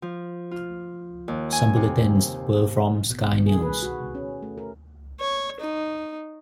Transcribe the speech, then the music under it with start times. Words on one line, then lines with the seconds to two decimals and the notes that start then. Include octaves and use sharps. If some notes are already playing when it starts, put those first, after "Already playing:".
Some bulletins were from Sky News.
0.02 F3
0.51 F4
1.28 D#2
1.52 G#5
1.76 C3
3.10 B2
3.32 D#3
3.46 G#4
3.62 B4
3.83 F#4
4.15 C#4
4.43 A3
4.58 A#4
5.20 C#5
5.60 D#4